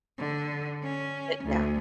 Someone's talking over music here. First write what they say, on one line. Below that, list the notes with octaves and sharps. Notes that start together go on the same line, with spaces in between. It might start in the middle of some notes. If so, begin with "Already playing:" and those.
but yeah.
D3
C#4
D2